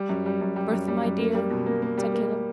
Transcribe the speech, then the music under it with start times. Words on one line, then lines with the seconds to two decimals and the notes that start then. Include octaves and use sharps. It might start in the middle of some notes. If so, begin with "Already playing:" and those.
"Bertha, my dear!" said Caleb.
Already playing: G3
0.09 F#2
0.26 G3
0.41 F#2
0.56 G3
0.72 F#2
0.88 G3
1.04 F#2
1.19 A#3
1.34 G3
1.50 B2
1.66 A#3
1.82 A#3
1.97 G3
2.14 A#3